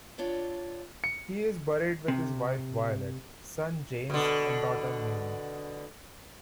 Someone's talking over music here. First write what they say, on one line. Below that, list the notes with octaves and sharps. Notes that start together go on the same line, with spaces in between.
He is buried with his wife Violet, son James and daughter Mary.
D4 F4 C#5 D5
C#7
C3
B2 D3